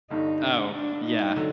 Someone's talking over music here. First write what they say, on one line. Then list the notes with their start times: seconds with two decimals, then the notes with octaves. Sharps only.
Oh, yeah.
0.10 G1 G2 D3 D#4
0.42 D4
0.73 D4
1.04 D#4
1.36 D3 F#3